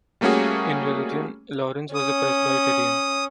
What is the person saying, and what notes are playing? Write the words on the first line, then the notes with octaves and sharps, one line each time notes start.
In religion, Lawrence was a Presbyterian.
G3 A3 A#3 C#4 F#4 G#4
C#4 D#6